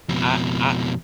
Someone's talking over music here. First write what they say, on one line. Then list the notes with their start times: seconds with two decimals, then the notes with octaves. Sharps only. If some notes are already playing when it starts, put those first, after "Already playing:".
I I
0.09 F2 B2